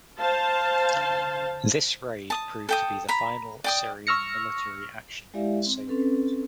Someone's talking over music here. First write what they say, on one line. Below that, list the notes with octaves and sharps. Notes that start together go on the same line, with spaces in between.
This raid proved to be the final Syrian military action in the salient.
C5 F5 A5
A5 D#6
A4 G5 D#6
A#5 B5
D5 G5 D#6
C#6 E6 F6 A#6 C#7
G#3 E4 G4 D5 E5 F5
C4
C4 C#4 A4 B4